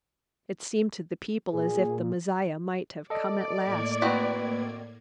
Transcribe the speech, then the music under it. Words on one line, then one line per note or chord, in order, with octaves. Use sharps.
It seemed to the people as if the Messiah might have come at last.
A#2 G#4
A4 D5 D#5
A2 A#3 G#6
D#3 C4 F#4 B4 B6